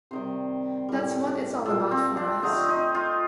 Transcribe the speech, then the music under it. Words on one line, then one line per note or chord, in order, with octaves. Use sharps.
That's what it's all about for us.
C3 D#3 G3 C5
A2 G3
A#2 G3 A4
C4
D4
D3 F3 A3 D#4
D#4
F4